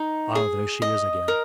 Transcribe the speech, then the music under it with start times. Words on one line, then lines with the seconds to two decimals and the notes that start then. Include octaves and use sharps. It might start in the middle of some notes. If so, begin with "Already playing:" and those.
Ah, there she is again.'
Already playing: D#4
0.35 G#4
0.82 D#5
1.28 A#4